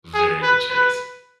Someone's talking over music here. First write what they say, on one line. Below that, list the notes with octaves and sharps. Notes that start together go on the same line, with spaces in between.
Very luxurious.
G#4
B4
B4